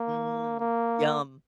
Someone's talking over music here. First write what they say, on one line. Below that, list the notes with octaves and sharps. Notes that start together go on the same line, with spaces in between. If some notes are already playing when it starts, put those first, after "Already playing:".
Mm. Yum.
Already playing: A#3
A#3